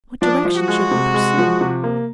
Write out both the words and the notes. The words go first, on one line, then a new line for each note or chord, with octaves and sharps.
What direction should he pursue?
F3 D4
F3
F#4
G#3
C3
G#3
F3
C3
A#3